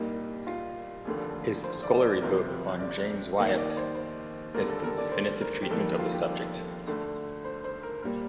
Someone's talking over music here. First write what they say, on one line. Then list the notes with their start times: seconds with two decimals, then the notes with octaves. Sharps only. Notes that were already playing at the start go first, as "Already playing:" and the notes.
His scholarly book on James Wyatt is the definitive treatment of the subject.
Already playing: C2 A#2 G3 A#3 D#4
0.47 F4
1.05 F1 D#2 D3 A3
1.64 C5
1.83 D5
2.02 D5
2.21 G1 F2 C3 F3 A#4
2.79 D5
3.38 D#2 D#3 A#3 D#5
3.58 D5
3.77 C5
3.95 C5
4.54 D#2 D3 G3 A#3 A#4
4.69 A4
4.79 A4
4.84 A#4
4.98 D5
5.12 C5
5.41 A#4
5.62 G4
5.70 G1 F2 D#3 G3 A#3 A4
5.99 F4
6.14 G4
6.29 A4
6.87 D2 D3 A3
7.45 C5
7.64 C5
7.83 A#4
8.02 A#2 G3 A#3 A#4